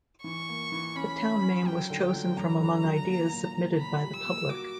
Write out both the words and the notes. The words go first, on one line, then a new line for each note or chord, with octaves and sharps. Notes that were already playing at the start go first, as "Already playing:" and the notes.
The town name was chosen from among ideas submitted by the public.
E3 C#6
A#3
E3
C#4 B5
C#4
C#4
F#3 G5
D3
F#3
F#2 A#5
D3
F#3
A#3
A#2
A#2
A#2 B5
G3
E6
A#3
F#4 D6